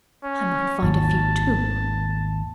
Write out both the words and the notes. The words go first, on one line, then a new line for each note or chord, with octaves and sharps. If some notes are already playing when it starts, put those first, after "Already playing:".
"I might find a few, too."
C#4
G#1 D#2 A5